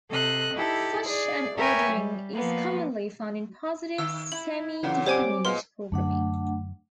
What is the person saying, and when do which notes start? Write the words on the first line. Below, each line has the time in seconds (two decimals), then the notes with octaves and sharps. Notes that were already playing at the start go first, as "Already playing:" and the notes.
Such an ordering is commonly found in positive semidefinite programming.
0.10 C3 A4 D#5 F#6
0.55 D#4 E4 G4 A4
1.07 G#4 D5
1.57 A#4 B4 C#5 E5 G5 G#5
1.92 G3
2.35 F3 A#3 B3
3.98 D#3 E6
4.32 E4 F#7
4.83 A#2 C#3 E3 F#3
5.06 G3 C4 C5 C#5 G#5 D6
5.45 A#2 G#3 B3 A#4 C6
5.92 F#2 D3 A3 D4 F#5